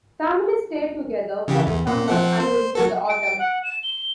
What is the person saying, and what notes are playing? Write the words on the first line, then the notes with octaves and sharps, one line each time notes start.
Families stay together for the summer and into the autumn.
C#3 E3 G4
E2
A#2 A#3
F3 C4 F#5
C5
F#3 F#4 A4
D7
F#5
E7
G7